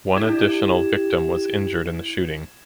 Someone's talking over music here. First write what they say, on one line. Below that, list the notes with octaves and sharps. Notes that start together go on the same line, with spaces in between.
One additional victim was injured in the shooting.
D4 E4 G4 G#6 E7